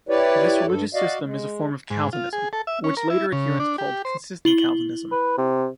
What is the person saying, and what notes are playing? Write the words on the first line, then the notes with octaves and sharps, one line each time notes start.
This religious system is a form of Calvinism which later adherents called consistent Calvinism.
E4 G4 B4 C#5 D5
G2 A4
F#4 D5 D#5 F5
G#3
G#2
F4
G#4
A4
E5
C#4
A#4
E4
C#3
D4
G4
C5
E4 F#7 G7
B4
C3